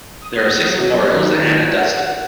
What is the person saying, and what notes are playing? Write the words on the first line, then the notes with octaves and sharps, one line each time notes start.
There are six memorials to Hannah Duston.
D#6
F#3
D#3
F#5